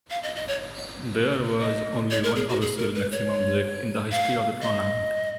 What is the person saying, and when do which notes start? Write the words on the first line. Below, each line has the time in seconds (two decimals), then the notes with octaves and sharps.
There was only one official maximum break in the history of the tournament.
0.11 F5
0.23 D#5
0.36 D#5
0.48 C#5
1.60 D#5
2.11 C#5
2.23 A#4
2.36 G#4
2.49 F#4
2.61 G#4
2.78 A#4
2.95 B4
3.11 C#5
4.12 F5
4.62 D#5